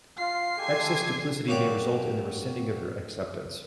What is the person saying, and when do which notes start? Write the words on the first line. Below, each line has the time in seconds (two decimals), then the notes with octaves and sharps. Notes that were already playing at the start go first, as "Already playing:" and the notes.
Excess duplicity may result in the rescinding of your acceptance.
0.17 F4 C7
0.59 G#3 A3 G4 A4 G#5 G#6
1.48 F#3 A#3 F#4 G4 D5